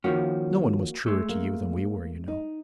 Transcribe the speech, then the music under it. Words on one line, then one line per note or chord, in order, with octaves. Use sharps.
No one was truer to you than we were, you know.
D#3 F3 A#3 C#4 F#4
G#3 A3
A#3
D#4